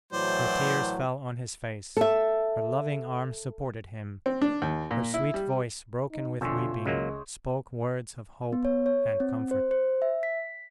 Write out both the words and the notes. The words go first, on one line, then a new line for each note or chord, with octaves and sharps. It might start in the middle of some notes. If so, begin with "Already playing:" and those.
Her tears fell on his face, her loving arms supported him; her sweet voice, broken with weeping, spoke words of hope and comfort.
A2 E3 F#3 C5 D5
A4 E5
C4
D4
D#2
A#2
E4
G3
D#4
F2 B2 D3 F4 C5 C#5 E5 G#5
C#2 C#3 F#3 G#3 A#3
B3
C#5
C#5
C4
C5
C5
E5
B6